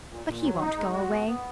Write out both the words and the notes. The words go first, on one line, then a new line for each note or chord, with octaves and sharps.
But he won't go away.
A#2
A#2
F#3
D#4
G#3
F#4
B3
B3